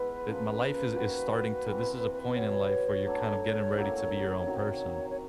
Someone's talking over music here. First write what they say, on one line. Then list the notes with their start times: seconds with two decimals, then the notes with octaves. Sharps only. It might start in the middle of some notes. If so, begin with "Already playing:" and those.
it my life is, is starting to this is a point in life where you're kinda getting ready to be your own person.
Already playing: G#3 B3 E4 B4
0.26 C#3 F3 A#3
0.96 G3 A#3 D#4 F#4
1.66 C3 E3 G3 C4
2.36 B2 G3 B3 C#5
3.06 F#3 A3 D4
3.76 A2 F#3 A#3 C#4
4.46 C3 D#3 F#3
5.10 C#5